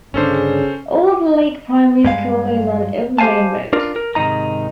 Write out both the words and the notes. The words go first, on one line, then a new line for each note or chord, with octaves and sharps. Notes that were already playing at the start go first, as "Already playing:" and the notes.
Old Leake Primary School is on Old Main Road.
G1 C#3 C#4 D4 A4 C5
G2 G#3 F5
G4 C5 F5 G#5 A5
D4 F4 A#4
A#4
G#2 C3 D#3 D#4 A#5